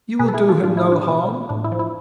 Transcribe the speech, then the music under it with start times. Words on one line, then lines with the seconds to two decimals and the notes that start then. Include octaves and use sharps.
You will do him no harm.
0.19 B2 G#4 B4
0.28 A4
0.34 E4 G#4
0.49 F4 A4
0.62 A2 D4 F4
0.77 E4
0.84 F3
0.92 D4
1.07 B2
1.49 A2 D4
1.64 E4
1.72 F3
1.79 E4